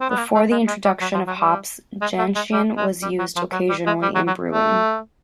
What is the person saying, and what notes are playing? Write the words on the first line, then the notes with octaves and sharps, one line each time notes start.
Before the introduction of hops, gentian was used occasionally in brewing.
C4
B3
A#3
A3
G#3
G#3
G3
F#3
F3
F#3
G3
G#3
A3
G#3
G3
G#3
G3
F#3
F3
F#3
G3
G#3
G3
F#3
F#3
A3